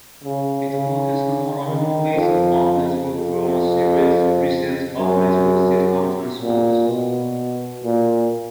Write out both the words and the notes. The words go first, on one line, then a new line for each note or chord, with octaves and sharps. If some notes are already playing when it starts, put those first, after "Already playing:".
It focused more on movies, off-network drama series, recent off-network sitcoms and sports.
C#3
C#3
D#3
F2
F2
F#2
A#2
B2
A#2